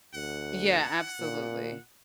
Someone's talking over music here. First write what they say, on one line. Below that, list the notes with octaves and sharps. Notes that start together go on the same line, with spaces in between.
Yeah, absolutely.
D2 F#5
A#2